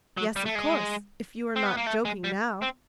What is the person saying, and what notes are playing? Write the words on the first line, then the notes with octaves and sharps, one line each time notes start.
"Yes, of course, if you are not joking now."
F#3
G3
A3
G#3
C4
B3
A#3
A3
G#3
G3
C4